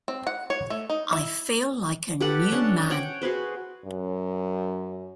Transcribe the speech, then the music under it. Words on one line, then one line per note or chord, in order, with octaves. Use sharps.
I feel like a new man.
C4
F#5
C#5
A3
D#4
E4
G4 A4 B4 F#5
C#4 D4 F#5 A5
C#5 F#5 G5
F#4 G#4 B4 C5
F#2